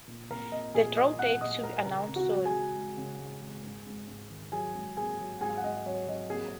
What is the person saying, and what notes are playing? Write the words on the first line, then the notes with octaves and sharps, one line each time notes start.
The draw date to be announced soon.
A#2
A#2 A#4 A#5
A#2 D#5
A#2 G#4 G#5
A#3 D#5 D#6
A#3 F#5 F#6
A#2 D#5 D#6
A#3 A#4 A#5
C#3 A#4 A#5
C#3
F#4 F#5
G#3
G#4 G#5
G#3
G#3
C#3
G#3
G#3
G#2
G#2
G#2
D#3
F#3 G#4 G#5
G#2
A#3 G#4 G#5
F#3
G#2 G#4 G#5
F#5
G#2 D#5
F#3 C#5
F#3 D#5
A#3 G#4 G#5